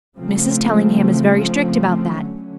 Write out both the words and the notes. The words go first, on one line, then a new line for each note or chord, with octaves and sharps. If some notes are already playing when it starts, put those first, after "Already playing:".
Mrs. Tellingham is very strict about that.
C#3 F3 A3 C4
D3 F#3 A3 C#4